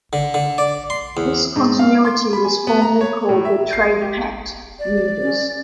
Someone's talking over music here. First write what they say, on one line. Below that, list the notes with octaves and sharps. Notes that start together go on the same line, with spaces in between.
This continuity was formerly called the Trade Pact Universe.
D3
D3
D5
C6
E2
G#2
F5
C6
B5
G#5
B3
A#5
C#5
A2
E5
C7
G4
D5
C#4